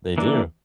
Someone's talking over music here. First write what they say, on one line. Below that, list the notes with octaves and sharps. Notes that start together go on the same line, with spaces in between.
They do.
E3 A#3 D4